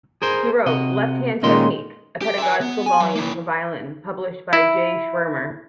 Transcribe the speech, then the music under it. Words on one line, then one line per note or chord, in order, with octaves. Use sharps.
He wrote "Left Hand Technique", a pedagogical volume for violin published by G. Schirmer.
G#4 A#4 C5
C3 F#4 D#5
A#2 D#3 G#3 C#4 D#5 C6
G4
E5 G#5
B3
G#5
F#3
A#3 E4
E4